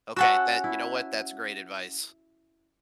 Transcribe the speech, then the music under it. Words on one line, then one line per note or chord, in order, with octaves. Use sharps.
Okay, that you know what, that's great advice.
C#4 F#4 F#5 A5 E6
E4